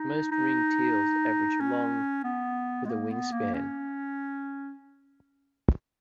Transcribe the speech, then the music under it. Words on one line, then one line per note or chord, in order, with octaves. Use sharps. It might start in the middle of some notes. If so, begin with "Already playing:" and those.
Most ringed teals average long, with a wingspan.
Already playing: D#4
D#4
C#4
B3
G#3
A#3
B3
A#3
C#4